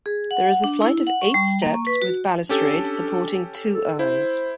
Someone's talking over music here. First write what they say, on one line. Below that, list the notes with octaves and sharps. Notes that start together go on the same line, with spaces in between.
There is a flight of eight steps with balustrade supporting two urns.
G#4
F#5
D4
E4
F#5
C#6
G3
A#3
C#6
B4
F#4
C#4 D4 G4 A4
A4
E4 C5